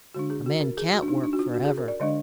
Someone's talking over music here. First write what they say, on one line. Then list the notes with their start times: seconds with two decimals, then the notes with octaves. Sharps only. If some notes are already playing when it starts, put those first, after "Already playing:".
A man can't work for ever.'
0.14 D3 G#3 D4 F#4
0.30 G#4
0.46 F#4
0.61 A#4
0.77 G#4
0.92 F#4
1.02 D4
1.08 D#4
1.24 D4
1.33 F#4
1.39 F4
1.54 F#4
1.65 G#4
1.78 A#4
1.88 D5
2.00 D3 G#3 D4 D#5